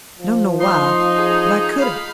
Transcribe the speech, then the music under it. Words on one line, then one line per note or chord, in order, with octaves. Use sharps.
I don't know why, but I couldn't.
F3
D#4 C6
G#4
F5 B5